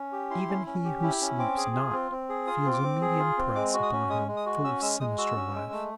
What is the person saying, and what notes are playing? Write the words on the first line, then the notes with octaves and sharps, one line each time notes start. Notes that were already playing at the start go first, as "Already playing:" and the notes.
Even he who sleeps not feels a medium press upon him full of sinister life.
Already playing: C#4
G4
E4 C6
C#4
C#4
G4
E4
C#4
C4 D6
G#4
F4
C4
C4
G#4
F4 D#6
C4
D6
C4
G#4
F4
C4
G#3 D6
F#4
D#6
C#4
G#3 D#6
G#3
D#6
F#4
C#4 E6
G#3 E6
G#3 D#6
F#4 E6
C#4
G#3
A3